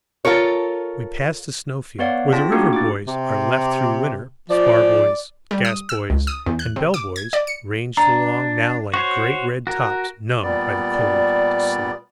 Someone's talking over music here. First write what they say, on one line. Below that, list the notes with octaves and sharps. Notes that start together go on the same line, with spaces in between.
We passed a snow-field, where the river-buoys are left through winter, spar-buoys, gas-buoys, and bell-buoys ranged along now like great red tops numbed by the cold to sleep.
F4 A4 A#4 C#5
B3 B4 C#5 D5 F5 F#5
C4 F4 G#4 A5 A#6 B6
A3 A#3 D4 D#4 F#4 G4
E4 D6
C3
F3 D5
G3
D#6
E6
C#2
D#6
E2
F#6
C3
D6
G#6
D5
C#7
D4 A#5
F#4 C5 C#5
F#4 A#4
A#2 G3 B3 D5